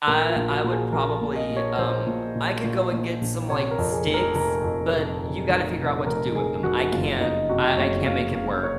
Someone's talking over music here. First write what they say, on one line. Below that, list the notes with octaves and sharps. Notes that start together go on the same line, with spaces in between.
I I would probably, um, I could go and get some, like, sticks, but you gotta figure out what to do with them. I can't I I can't make it work.
A#1 A#4
F4
A#1
F#4
A#2
G#4
A#1 A#4
A#2
D#5
A#2
C#5
A#1 C5
A#2
A#2
A#2
A#2
A#1
C3 C#5
A#4
F2
G#4
F1
A#4
F1 A#4
F2
C3
F2
F1
C3
F1 A#4
F1 G#4
F1 F#4
F#1 F4
F#1 D#4
C3 F#4
F#1 C#5
F#1 F5
F#1 F5
C#5